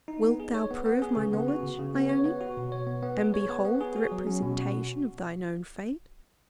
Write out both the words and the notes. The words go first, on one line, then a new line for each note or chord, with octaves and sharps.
'Wilt thou prove my knowledge, Ione, and behold the representation of thine own fate?
D#4
B3
G#4
C#5
B3
B3
G#4
C#3
B3
F#4
C#3
C#3
B3
C#5
B3
F#4
B2
C#5
B3
B3
G#4
C#5
B3
B3
G#4
F#4
F#3
C#4
B2
F#4